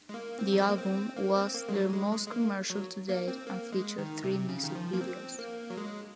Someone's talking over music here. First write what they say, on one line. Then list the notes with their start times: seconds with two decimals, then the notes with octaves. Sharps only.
The album was their most commercial to date, and featured three music videos.
0.09 G#3
0.14 A#3
0.39 C4
0.53 F#3
0.61 G#3
0.69 A#3
0.78 C4
1.16 A#3
1.35 C4
1.54 A#3
1.69 G#3
1.74 F#3
1.93 G#3
2.12 G#3
2.27 G#3
2.31 A#3
2.70 F#3
3.09 A#3
3.28 C4
3.47 A#3
3.72 G#3
3.98 D#3
4.24 C3
4.49 C#3
4.64 D#3
4.75 F3
4.93 A#3
5.01 C4
5.39 A#3
5.70 F#3
5.77 G#3